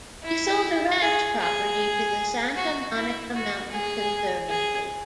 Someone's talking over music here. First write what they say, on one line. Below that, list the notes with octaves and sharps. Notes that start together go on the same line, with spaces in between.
He sold a ranch property to the Santa Monica Mountains Conservancy.
E4
G#4
G#4
F#4
E4
F#4
G#4
G#4